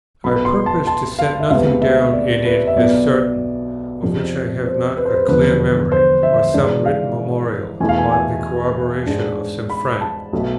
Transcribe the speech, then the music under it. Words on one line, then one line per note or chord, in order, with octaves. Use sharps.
I purpose to set nothing down in it as certain, of which I have not a clear memory, or some written memorial, or the corroboration of some friend.
B1 B2 B3 B5
C6
A5
A5
F5
E5
D2 C3 G#3 B3 F5
E5
D5
B4
E5
B1 B2 B3 D5
F2 C3 F3
C5
B4
C5
B4
E1 E2 D3 F3 B4
B4
C5
E5
G#2 E3 G#3 D4 D5
F5
E2 B2 A3 E4 G#5
F5
G#5
G#5
G#2 G#3 D4
B5
A5
B1 B2 A3